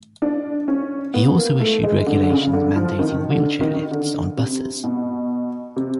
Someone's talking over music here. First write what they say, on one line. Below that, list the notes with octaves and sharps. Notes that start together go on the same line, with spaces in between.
He also issued regulations mandating wheelchair lifts on buses.
D4
C#4
B3
A#3
A3
G#3
D3
D3
C#3
D3
F3
D#3
D3
D#3
D3
C3
B2
C3